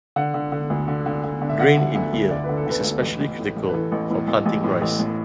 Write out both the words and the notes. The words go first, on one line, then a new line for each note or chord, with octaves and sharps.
Grain in Ear is especially critical for planting rice.
D3 F#5
D3
D3
D2
D3
D3
D3
D3
E5
D3 F#5
D3
D2 E5
D2
D3 D5
B4
D3
A4
D3 B4
D2
A1
A1
A2
A1
B4
E3 A4
A1
A2
A1
A1
A2
A1
A1